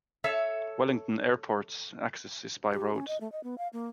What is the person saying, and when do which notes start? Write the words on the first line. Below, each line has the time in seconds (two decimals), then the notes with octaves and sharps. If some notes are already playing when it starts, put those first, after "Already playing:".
Wellington Airport's access is by road.
0.24 A4 C#5 E5
2.72 G4
2.94 C#4
3.08 D#5
3.21 A3
3.32 D#5
3.44 B3
3.58 F5
3.73 A#3